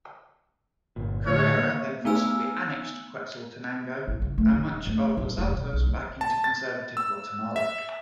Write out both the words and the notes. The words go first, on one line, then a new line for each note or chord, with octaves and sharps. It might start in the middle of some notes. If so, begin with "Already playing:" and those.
Carrera, then forcibly annexed Quetzaltenango and much of Los Altos back into conservative Guatemala.
G1 A#2
A2 D3 C#5
A#3
A3 B3 D#4 G#5 E6 F6
A1
C#2
A3
D#1
A3
D#1
F1
B2
B1
C4
A5
A6
E6
E5